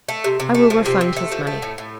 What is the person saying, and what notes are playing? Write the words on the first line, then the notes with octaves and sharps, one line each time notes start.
I will refund his money.
A3
C3
C3
A3
F3
C3 C4
C3
A3
F3
A3
A2
A2